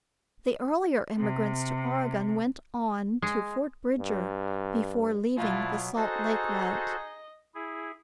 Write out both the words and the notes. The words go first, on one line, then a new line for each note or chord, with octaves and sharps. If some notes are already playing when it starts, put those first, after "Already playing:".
The earlier emigrants to Oregon went on to Fort Bridger before leaving the Salt Lake route.
C3
G#3
G2
B2 F#3 E4 F4 A5
D#4 F#4 G#4 A4 C5 D#5
E4 G#4